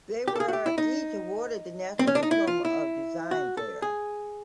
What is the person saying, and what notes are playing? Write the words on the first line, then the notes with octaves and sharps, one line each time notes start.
They were each awarded the National Diploma of Design there.
G4
A4
G#4
F#4
G4
E4
D#4
C4
C#4
D4
D#4
E4
F4
E4
F#4
A4
G#4